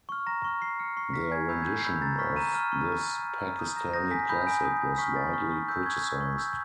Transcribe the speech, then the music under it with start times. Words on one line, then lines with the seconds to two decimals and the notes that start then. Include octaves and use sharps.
Their rendition of this Pakistani classic was widely criticized.
0.09 C#6 F6
0.27 A#5 A#6
0.44 C#6 F6
0.61 C#6 C7
0.79 F6 C#7
0.97 C#6 C7
1.14 F6 B6
1.31 G#5 G#6
1.49 B5 E6 G6 G#6
1.62 G#6
1.67 G#5 G6
1.84 B5 E6 G6
2.02 A#5 A6
2.19 C#6 F6 B6
2.36 A#5 D#7
2.54 C#6 F6
2.72 C#6
2.89 F6
3.06 C#6
3.23 F6
3.42 A#5
3.59 D#6 G6
3.76 A#5 A#6
3.93 D#6 G6 A#6
4.11 G#5 B6
4.29 B5 D#6 G6
4.47 G#5
4.64 B5 D#6 G6
4.81 G#5
4.98 C#6 F6 B6
5.16 G#5 A6
5.33 C#6 F6
5.51 C#6
5.68 E6 G6
5.86 C#6 G#6
6.03 E6 G6
6.21 C#6
6.38 E6 G6